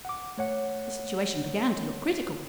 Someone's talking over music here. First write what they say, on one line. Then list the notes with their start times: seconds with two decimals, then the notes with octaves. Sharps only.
The situation began to look critical.
0.05 F#5 D6
0.38 A3 C#5 F#5